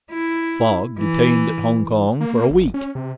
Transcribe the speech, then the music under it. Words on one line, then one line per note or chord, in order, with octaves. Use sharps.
Fogg detained at Hong Kong for a week!
E4
E3
A#3
G1
C#4
C3